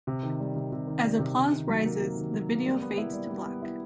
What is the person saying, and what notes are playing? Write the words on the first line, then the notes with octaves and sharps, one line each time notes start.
As applause rises, the video fades to black.
C3
D#3
G3
C3
C3
D#3
G3
C3
C3
D#3
F#3
A#3
C3
D#3
F#3
A#3
G3
B3
E4
G3
G3
B3
E4